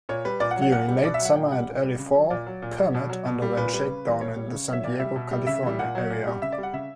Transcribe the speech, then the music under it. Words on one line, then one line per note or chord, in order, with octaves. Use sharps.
During late-summer and early-fall, "Permit" underwent shakedown in the San Diego, California, area.
A#2 C#5
G3 B4
A#2 D5
F#5
F#3
F#5
A#2 F#5
G3
B2 D5
E5
F#3 F#5
A#2 G5
G3 F#5
A#2
G3
C#3
F#3
A#2 D5
F#3
A#2
F#3
B2
F#3
B2
G3
A#2 B4
G3 B4
C#3
E3 G3
B2 C#5
G3
C#3
F#3 E5
A#2 D5
G3 E5
B2
G3
C#3 E5
E3 G3
A#2 F#5
F#3
A#2
G3
C#3 E5
D5
G3 F#5
C#3 E5